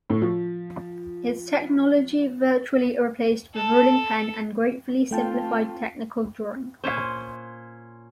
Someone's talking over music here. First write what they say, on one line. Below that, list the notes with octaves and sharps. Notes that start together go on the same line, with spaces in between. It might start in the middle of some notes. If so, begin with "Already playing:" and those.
Its technology virtually replaced the ruling pen and greatly simplified technical drawing.
A2
F3
A4 A5
A3 C4 F4 G5 A5
A#2 C#4 C5